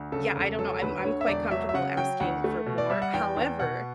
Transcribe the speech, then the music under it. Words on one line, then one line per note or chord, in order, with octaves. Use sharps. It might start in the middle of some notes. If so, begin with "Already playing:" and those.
Yeah, I don't know, I'm I'm quite comfortable asking for more, however,
Already playing: D2
C#3 A4
E1 A4
F#3 A4
D2 B4
B4
D3 C#5
E5
E1 D5
F#3 E5
E5
C#3 F#5
F#3 G5
D2 F#5
A3
B2
D5
G3 E5
F#5
E2 G5
E2
B2 F#5